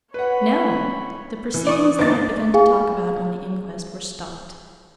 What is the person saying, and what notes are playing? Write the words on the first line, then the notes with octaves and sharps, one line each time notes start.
'No! the proceedings they had begun to talk about on the inquest were stopped.
B4 C#5 F#5 B5
E3
D5 C#6 D#6
G1 D#4 D6 A6
G#4 F5 G#5